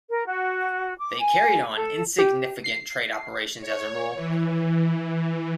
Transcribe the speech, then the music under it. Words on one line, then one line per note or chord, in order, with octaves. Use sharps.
They carried on insignificant trade operations as a rule.
A#4
F#4
D6
G#5
A4
G4
C7
C#5
E3